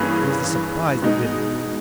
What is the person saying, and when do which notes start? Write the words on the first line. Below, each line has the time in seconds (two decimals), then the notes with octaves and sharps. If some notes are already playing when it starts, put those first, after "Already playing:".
It was the surprise that did it.
Already playing: G2 E3 A#3 C#4 G#4
1.02 B2 G#3 D#4